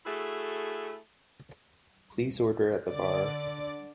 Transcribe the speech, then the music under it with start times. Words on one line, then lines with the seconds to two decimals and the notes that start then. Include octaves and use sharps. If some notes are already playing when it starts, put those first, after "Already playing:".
Please order at the bar.
0.06 A3 E4 F#4 G#4 A4
2.89 D3 D5